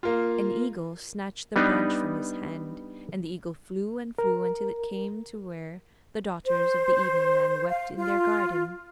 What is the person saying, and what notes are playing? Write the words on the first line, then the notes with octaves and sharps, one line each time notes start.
An eagle snatched the branch from his hand, and the eagle flew and flew until it came to where the Daughters of the Evening Land wept in their garden.
A#3 F4
G3 B3 D4 D#4 B4
A#4
C5
F5
F4